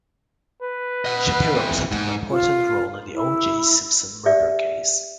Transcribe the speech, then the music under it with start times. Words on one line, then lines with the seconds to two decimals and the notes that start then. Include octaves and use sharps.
Shapiro played an important role in the O. J. Simpson murder case.
0.63 B4
1.05 D#5 F#5
1.54 E2 C4
1.91 G#2
2.31 F4
3.14 E4
4.26 G4 D5 E5